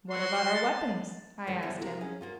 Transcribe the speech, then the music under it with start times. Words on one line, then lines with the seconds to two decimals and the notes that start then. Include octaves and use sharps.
"What about our weapons?" I asked him.
0.10 F#4 C6
0.54 A5
1.47 F#2 D3 D#3 F3 G#3
1.62 D3 E3 F3 G3 B3
1.81 C3 F#4 A#4
2.01 C#4 D#4 G#4
2.21 A#3 F4 F#4